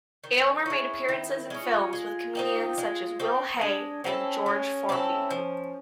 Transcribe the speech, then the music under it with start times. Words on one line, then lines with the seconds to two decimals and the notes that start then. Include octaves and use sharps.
Aylmer made appearances in films with comedians such as Will Hay and George Formby.
0.24 D#3
0.66 G#3 C#4 E4
1.09 D#3 E4
1.36 E4
1.50 G#3 C#4
1.64 F4
1.93 G#3
2.35 C4 D#4 G4
2.78 G#3
3.20 C4 D#4 G4
3.61 G#3 D4
4.04 C4 C#4 E4 A4
4.46 G#3
4.89 C4 E4 A4
5.30 F3